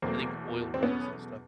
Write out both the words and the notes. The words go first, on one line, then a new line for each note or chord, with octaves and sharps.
I think oil rigs and stuff,
E2 B2 F#3 A3 A#3 C4
C4
B3 C#4